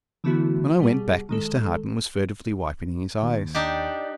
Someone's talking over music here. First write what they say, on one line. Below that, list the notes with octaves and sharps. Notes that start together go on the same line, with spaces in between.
When I went back, Mr. Harton was furtively wiping his eyes.
D3 E3 A3 B3 E4 F#4
B2 G3 G#4
D#3 G#3 A4
D#2
D4 D#4 G4